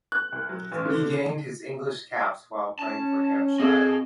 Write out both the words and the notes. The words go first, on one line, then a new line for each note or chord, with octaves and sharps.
He gained his England caps while playing for Hampshire.
F#6
C2
F#3
A1
D3
C#4 A5
C4 F#4 G#4 A4 D#5